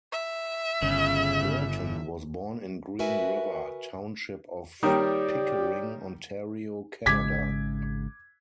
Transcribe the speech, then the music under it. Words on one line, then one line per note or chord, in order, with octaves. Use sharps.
Burton was born in Green River, township of Pickering, Ontario, Canada.
E5
G1 C#3
F#4 A#4 B4 E5 G#5
D#3 G3 A#3 G4 C#5 D5 D#6
G#1 C#3 G#3 D6 G#6 B6